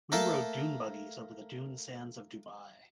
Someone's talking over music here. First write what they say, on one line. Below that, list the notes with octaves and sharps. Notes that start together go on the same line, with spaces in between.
We rode dune buggies over the dune sands of Dubai.
A3 A#3 A4